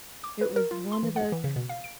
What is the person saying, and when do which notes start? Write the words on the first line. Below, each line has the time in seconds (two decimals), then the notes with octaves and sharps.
It was one of those
0.24 D6
0.41 B4
0.56 A#4
0.71 F4
0.92 C6
1.03 E3
1.16 F#5
1.32 E3
1.44 C#3
1.56 B2
1.69 F5
1.84 D7